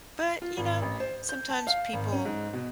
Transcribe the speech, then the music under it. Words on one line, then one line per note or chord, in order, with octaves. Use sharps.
But you know, sometimes people
F4
G#1
A1
C5
G6
A5
F5
G#1
C#4
G#2
B2